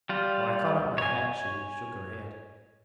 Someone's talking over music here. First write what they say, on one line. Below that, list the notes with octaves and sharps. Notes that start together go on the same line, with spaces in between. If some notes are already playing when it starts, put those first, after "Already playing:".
When I caught up my hat she shook her head.
G3 F4
C#5 G#5